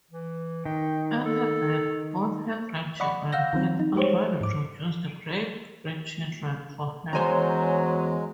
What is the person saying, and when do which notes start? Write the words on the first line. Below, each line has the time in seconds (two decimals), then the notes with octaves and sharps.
At her death, both her grandchildren had already produced great-grandchildren for her.
0.11 E3
0.65 D#3 G5
1.26 A4
3.00 D5 D#5 F#5 B5 C#6
3.32 F5 F#5 E6 G6 A#6
3.53 D#3 F3 C4
3.80 D#4
3.95 G3 G#3 G4 C5 C#5
4.41 G#2 D6
7.13 E2 F#3 G#3 C5 C#5 G#5 A#5